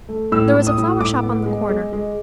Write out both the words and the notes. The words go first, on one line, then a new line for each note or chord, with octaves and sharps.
There was a flower shop on the corner.
A3
A2 E6
A2
D#6
A2
A2 D6
B3
G#3
G#3
G#3